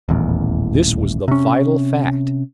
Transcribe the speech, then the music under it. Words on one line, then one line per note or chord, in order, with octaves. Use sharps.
This was the vital fact.
D#1 A1 E2
C3 C#4